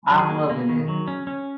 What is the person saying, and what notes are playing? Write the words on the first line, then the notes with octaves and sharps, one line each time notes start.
I'm loving it.
F#3
G#4
A#3
A#3
D#3
F#3
C#4
C#4